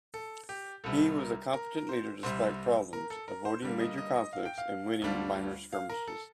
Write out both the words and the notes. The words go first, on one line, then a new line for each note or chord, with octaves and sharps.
He was a competent leader despite problems, avoiding major conflicts and winning minor skirmishes.
A4
G4
C2 C3 G3 A4
A#4
A#4
A#4
C5
C2 C3 G3 C5
A#4
A4
A#4
C5
D3 G3 A#3
D#5
D#5
D#5
F5
G5
F5
D2 D3 G3 D4 F4
F5
A#4
A4